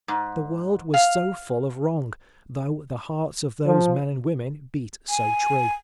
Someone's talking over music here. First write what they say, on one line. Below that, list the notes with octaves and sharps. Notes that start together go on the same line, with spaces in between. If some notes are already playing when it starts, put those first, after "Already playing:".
The world was so full of wrong, though the hearts of those men and women beat so true!
G#2
F5
F3
G#5